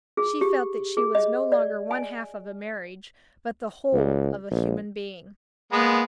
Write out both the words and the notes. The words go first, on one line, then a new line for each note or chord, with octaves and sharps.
She felt that she was no longer one-half of a marriage but the whole of a human being.
G#4
G4
G#4
D#5
D5
G#5
C#2
A#1
G#3 A#3 B3